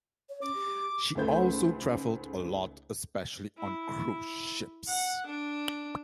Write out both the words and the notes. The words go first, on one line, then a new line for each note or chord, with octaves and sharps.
She also traveled "a lot, especially on cruise ships".
C#5
C#4 D6
G4
C#2 G#2 A3 C5 B5 G6
E4
F#5
D4